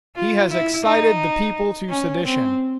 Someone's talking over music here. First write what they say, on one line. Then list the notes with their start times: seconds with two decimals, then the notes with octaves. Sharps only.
He has excited the people to sedition.
0.15 F4
0.50 E4
0.85 D#4
1.89 C#4
2.25 C4